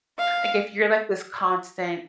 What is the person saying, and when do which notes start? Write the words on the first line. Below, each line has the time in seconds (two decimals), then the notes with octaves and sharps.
Like, if you're, like, this constant,
0.18 F5